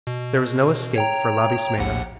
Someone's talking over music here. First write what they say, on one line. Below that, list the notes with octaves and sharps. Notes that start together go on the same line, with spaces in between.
There was no escape for Labismena.
B2
C#5 G5 A#5
A#1 D#2 F#5